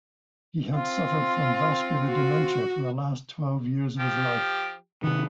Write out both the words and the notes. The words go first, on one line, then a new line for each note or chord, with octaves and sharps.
He had suffered from vascular dementia for the last twelve years of his life.
C4 F4
F#4
F3 G4
C3 D#3 B3